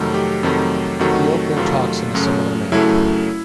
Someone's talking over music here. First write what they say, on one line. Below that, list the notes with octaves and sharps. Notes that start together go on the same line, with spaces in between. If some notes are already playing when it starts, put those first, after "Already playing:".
Piyoko talks in a similar manner.
Already playing: F2 C3 D#3 F#3 A3
G4
F2 C3 D#3 F#3 A3
F2 C3 D#3 F#3 A3 F#4
F2 C3 D#3 F#3 A3 F4
F#2 C#3 F#3 A3
F#2 C#3 F#3 A3 E4